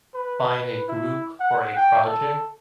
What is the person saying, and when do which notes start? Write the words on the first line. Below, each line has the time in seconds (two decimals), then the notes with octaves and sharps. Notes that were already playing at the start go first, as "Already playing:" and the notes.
find a group for a project,
0.15 B4
0.89 E4
1.40 F#5
1.77 G5
2.06 A4